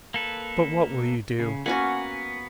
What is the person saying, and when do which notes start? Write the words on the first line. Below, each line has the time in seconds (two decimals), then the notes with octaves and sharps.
"But what will you do?"
0.14 A#3 A4 B4
1.40 C#3
1.66 A#3 B3 C#4 F#4 F#5 G#5